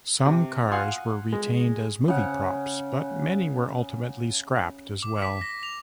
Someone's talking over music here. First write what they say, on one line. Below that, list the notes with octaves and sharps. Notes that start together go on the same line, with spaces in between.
Some cars were retained as movie props, but many were ultimately scrapped as well.
C3
F5 F#5 G#5 C6 D#6
G#3
C#3 F#5
D6
B6
A#6
F7